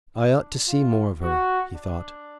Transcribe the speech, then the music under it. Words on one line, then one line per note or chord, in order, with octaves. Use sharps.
"I ought to see more of her," he thought.
D4
F4
F#4
D4